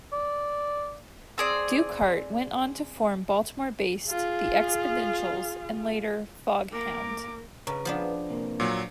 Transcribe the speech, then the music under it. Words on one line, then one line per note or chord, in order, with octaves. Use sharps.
Dukehart went on to form Baltimore-based The Expotentials and later Foghound.
D5
C4 G#4 D5
F4 G#4
A#3 A#4 D6
C#3 B4 A#5
F3 B3 D4
C3 A#3
A#2 F#3